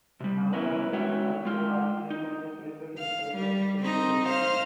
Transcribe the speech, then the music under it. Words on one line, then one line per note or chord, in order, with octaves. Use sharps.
Navaratri is also organised and celebrated by the temple.
C3 G3
B3 C#4 E4 A#4 B4
G#3 C#4 F#4 C#5 E5 G5
G#3 F4 G5
D#4
F5
G3
C4 D#4
C5 F5